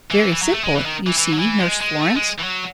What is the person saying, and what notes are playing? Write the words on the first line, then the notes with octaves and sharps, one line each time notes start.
Very simple, you see, Nurse Florence!
E3
E3
F#3
A3
G#3
E3
D#3
E3
E3
F#3
E3
G#3
G#3
A3
G#3
E3
F#3